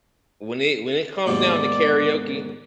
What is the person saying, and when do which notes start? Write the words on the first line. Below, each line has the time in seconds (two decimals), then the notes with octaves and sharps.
when it when it comes down to karaoke
1.27 D#2 G#2 B2 D5